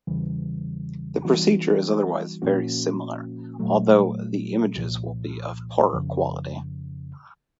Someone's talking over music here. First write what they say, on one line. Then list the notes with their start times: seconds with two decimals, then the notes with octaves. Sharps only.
The procedure is otherwise very similar, although the images will be of poorer quality.
0.07 E2 C#3 E3 G3
1.25 E3 G3 B3 D#4 F#4
2.42 A#2 F3 A#3 C#4 F#4
3.59 A#2 F#3 A3
4.76 C2 A#2 F3
5.94 F2 C#3 F3